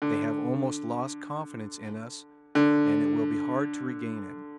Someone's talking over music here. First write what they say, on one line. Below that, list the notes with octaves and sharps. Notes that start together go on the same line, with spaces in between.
They have almost lost confidence in us and it will be hard to regain it.
D3
D3